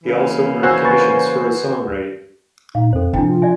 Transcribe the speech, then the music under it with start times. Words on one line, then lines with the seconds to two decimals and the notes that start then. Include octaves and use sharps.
He also earned commissions for his songwriting.
0.04 C#3 E3 A#3
0.63 F#4 C5 G#5 E6 F#6
0.84 B4 C#6 A6
2.75 A#2 D#4 F5
2.93 F2 C4 A4 C5
3.13 C3 F3 D4 E4 G5
3.28 F4
3.42 D5 E5 G#5